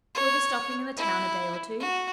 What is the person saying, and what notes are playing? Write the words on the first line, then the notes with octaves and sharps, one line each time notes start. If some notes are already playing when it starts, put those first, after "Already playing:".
You'll be stopping in the town a day or two?
C#5
E4
F#4